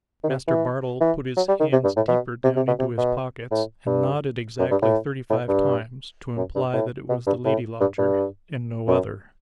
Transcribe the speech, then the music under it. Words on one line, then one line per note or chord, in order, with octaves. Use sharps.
Master Bardell put his hands deeper down into his pockets, and nodded exactly thirty-five times, to imply that it was the lady-lodger, and no other.
D#3
C3
E3
E3
F#3
G3
D#3
C3
G2
A2
B2
C3
C3
B2
C3
B2
A2
G2
F#2
G2
A2
A2
G2
F#2
G2
A2
B2
G2
A2
G2
G2
F#2